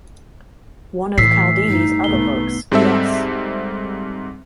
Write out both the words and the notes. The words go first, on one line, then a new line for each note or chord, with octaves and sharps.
One of Cialdini's other books, Yes!
A2 E3 E6 B6 C7
G2 D#4
C2 A3 B3 G7
G#2 G3 C4 A4 E5